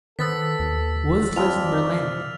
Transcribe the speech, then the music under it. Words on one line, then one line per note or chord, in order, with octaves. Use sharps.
Woods lives in Berlin.
D#3 B3 A4 C5 E6 A6 B6
D#2
F2 G#3 F4 D5 F6 F7